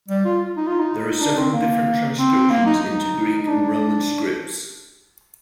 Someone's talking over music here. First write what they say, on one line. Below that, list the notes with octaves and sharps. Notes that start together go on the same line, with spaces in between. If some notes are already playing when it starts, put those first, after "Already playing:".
There are several different transcriptions into Greek and Roman scripts.
G3
F4
D#4
F4
D#4
D4
C4
A#3
C4
A#3
D#4
D#4
D#4
D4